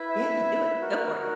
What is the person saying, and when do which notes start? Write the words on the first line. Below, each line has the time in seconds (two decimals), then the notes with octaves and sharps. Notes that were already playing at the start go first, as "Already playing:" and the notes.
Yeah, do it. Go for it.
Already playing: E4 B4
0.08 E5
0.80 D#4 F#4 A#4